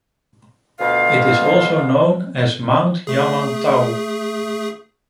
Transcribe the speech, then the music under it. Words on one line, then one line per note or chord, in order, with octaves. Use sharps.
It is also known as Mount Yamantaw.
D2 B2 F4 F5
A3 G#4